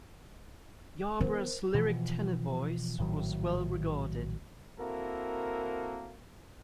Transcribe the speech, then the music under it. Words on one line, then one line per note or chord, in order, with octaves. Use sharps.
Yarbrough's lyric tenor voice was well-regarded.
E3 B3 A#4 C5
B2 E3 F3
A#1 A2 D#3 F#3
A#3 C4 E4 F#4 A4 A#4